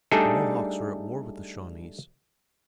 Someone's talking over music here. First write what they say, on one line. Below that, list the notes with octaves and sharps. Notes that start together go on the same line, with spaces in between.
The Mohawks are at war with the Shawnees.
G3 A3 D4 D#4 G#4 A4